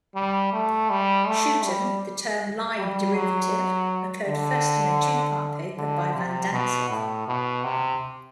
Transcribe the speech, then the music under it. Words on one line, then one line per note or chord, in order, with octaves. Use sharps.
Schouten, the term "Lie derivative" occurred first in a two-part paper by van Dantzig.
G3
A3
G3
A3
G3
G3
F#3
D3
D3
C3
B2
A2
B2
C3